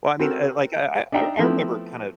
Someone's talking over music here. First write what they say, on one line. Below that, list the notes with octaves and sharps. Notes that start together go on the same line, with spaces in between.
Well, I mean, uh, like, uh, I I I remember kinda
C4 F#4 A4 A#4
D4 D#4 E5 G5 A#5
F3 A3 B3 C4 E4